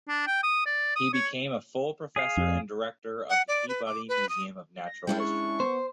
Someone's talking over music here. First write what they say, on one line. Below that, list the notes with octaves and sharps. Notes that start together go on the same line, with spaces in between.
He became a full professor and director of the Peabody Museum of Natural History.
D4
G5
D#6
D5
D#6
C#5
G#4 F5
F2
F#5
D5
B4
D6
B4
D#6
A#6
G#3 C#4 D4 E4 G5
C#6
B3 C5